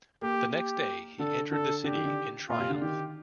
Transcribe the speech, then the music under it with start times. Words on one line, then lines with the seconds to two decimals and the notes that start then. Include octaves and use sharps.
The next day he entered the city in triumph.
0.22 A#3 G4
0.55 G4
1.19 D3 A4
1.52 D3 A4
1.84 D3 G4
1.95 D#3
2.05 D3
2.49 A#2 F4
2.60 C3
2.70 D3
2.81 D#3 G4